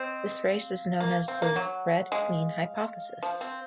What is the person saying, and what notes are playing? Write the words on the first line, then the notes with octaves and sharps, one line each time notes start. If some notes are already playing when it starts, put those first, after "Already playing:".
This race is known as the Red Queen hypothesis.
Already playing: C4 D#5
F5
A#3
C4
A#3
F#3 F#5
G#3 F5
F3 F5
C4